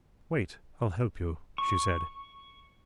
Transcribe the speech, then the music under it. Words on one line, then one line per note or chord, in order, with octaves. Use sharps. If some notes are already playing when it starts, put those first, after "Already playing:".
"Wait, I'll help you," she said.
C#6